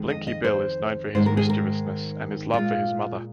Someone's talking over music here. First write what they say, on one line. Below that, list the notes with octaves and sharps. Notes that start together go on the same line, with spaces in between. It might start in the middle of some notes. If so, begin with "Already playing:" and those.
Blinky Bill is known for his mischievousness and his love for his mother.
Already playing: F2 D#3 G#3
D#5
D#5
C5
G#2 D#3 G#3 C5
A#4
G#4
A#4
A#2 G#3 F4